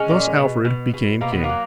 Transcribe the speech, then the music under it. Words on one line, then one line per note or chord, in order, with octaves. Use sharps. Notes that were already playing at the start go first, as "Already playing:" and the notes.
Thus Alfred became king.
Already playing: G#3 C#4
A#2
B2
B2
B2
B2 A#3
B3
A#3
F#3